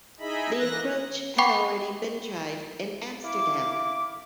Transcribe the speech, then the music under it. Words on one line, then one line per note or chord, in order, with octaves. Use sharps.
The approach had already been tried in Amsterdam.
D#4 E4 G#4 D#5 E5 B5
E3 A#3 F#6 A#6
F#5 G5 B5 C#6 D6
E4 F5 D6